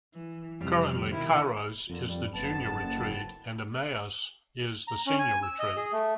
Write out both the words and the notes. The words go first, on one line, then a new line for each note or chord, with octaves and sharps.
Currently, Kairos is the junior retreat and Emmaus is the senior retreat.
E3
F2 C3 G3 C4 F6
B2 D#3 E4 G4
F2 D3 A#3
G3
F#1 F2 B3 A5
A#5
C#4
G#5
E6
D#5
G#4
A3